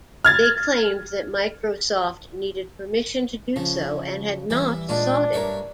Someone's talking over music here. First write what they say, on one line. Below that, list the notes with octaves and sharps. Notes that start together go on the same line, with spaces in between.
They claimed that Microsoft needed permission to do so and had not sought it.
F6 G#6 A6
C#3 F3
E3 G3 E4 E5
A#2 G#3 D4 D#4 F4
G2 G3 A#4 C#5 E5 F5